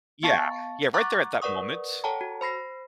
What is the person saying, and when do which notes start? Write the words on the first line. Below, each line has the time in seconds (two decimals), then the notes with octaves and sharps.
Yeah. Yeah, right there at that moment,
0.23 B3 F5 A5 C#6 A6
0.94 F#5 A#5 C#6 D6 F#6 A6
1.42 A#4 B4 D5 F#5 C#6 D#6
2.04 A4 C#5 F#5 G5 A5 A#5
2.21 F#4
2.41 C5 B5 A#6 C7